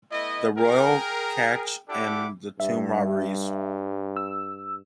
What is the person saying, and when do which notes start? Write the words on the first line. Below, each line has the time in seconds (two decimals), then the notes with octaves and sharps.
The Royal Cache and the Tomb Robberies.
0.12 A3 B3 E4 D#5
0.58 G#4 A#4 G5
1.89 D4 E4 G4 A4 F#5 D6
2.60 G2 G3 E5
4.17 E6